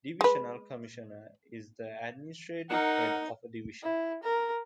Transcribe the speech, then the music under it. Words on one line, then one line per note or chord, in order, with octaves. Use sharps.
Divisional Commissioner is the administrative head of a division.
G#3 B4
D#4 A#4 F#5
E4
A#4